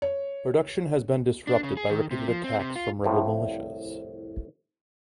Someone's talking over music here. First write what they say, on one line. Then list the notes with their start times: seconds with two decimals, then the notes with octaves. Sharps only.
Production has been disrupted by repeated attacks from rebel militias.
0.02 C#5
1.47 D4
1.63 C#3
1.77 G#4
1.90 D#3
2.11 C3
2.28 F3
2.44 C4
2.59 C3
2.76 F4
3.04 C2 A2 F3